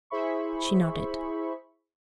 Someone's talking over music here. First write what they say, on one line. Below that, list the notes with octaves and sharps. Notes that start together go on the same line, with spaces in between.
She nodded.
E4 G#4 C5 E5 B5 C#6